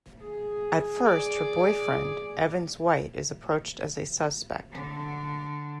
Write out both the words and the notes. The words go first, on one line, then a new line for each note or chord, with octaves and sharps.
At first, her boyfriend, Evans White is approached as a suspect.
G#4
D5
D3